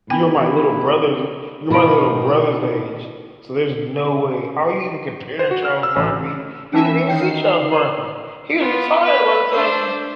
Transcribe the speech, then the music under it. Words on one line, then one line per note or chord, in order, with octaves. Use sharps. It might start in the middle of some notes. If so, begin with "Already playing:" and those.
you're my little brother's you're my little brother's age, so there's no way how are you even comparing Charles Barkley? You didn't even see Charles Barkley. He was retired by the time you
A1 B3 E4 G5
B2 D#3 E4 B5 D7
C5
F#4
F6
E6
A1
E3 C#4 E5 A5 E6
D#3 C#5 E5 G5 C7
B3 F4
B4
D4 C5